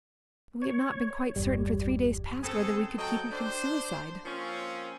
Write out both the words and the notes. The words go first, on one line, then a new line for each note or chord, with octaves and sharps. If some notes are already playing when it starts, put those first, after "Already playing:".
We have not been quite certain for three days past whether we could keep him from suicide.
C#5
G1 E2 G3
C#3 C4 G#4 A4
F#3 A4 D#5 G5
D4 C5
F3 A#3 C4 C#4